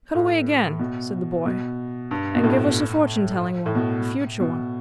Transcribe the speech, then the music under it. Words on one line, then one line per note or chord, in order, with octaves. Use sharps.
'Cut away again,' said the boy, 'and give us a fortune-telling one; a future one.'
A2
B2
B2
G2
B2
A2
A2
B2
B2